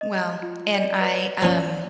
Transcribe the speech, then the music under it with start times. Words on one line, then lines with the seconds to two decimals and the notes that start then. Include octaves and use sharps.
Well and I, um
0.01 D#5
0.43 F4
0.75 D5 D#5
0.99 B4 D5
1.42 F3 C#4 D5